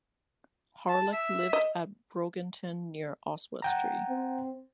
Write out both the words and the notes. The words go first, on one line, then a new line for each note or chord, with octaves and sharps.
Harlech lived at Brogyntyn near Oswestry.
A5
E5
D#5
F#5 G5 A#5
C4